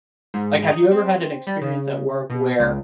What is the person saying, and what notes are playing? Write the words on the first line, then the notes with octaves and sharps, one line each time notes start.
like, have you ever had an experience at work where
G#2
D#4
C4
G3
C#3
B2
C#2